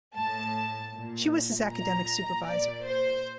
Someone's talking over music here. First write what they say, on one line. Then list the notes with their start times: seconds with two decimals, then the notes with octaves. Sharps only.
She was his academic supervisor.
0.15 A2 A5
0.93 A#2
1.69 A#2 A#5
2.46 A#2 D5
2.85 C5